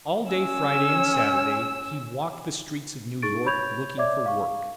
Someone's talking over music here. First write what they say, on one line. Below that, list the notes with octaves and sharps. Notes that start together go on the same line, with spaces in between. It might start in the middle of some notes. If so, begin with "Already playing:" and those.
All day Friday and Saturday he walked the streets of New York, looking for work.
C#4 E6
D#4 G#4 C#6 A6 D7
C#5 B5 C#6 G6 G#6 F7
C#5 D5 E5 D6 G#6
F5 C#6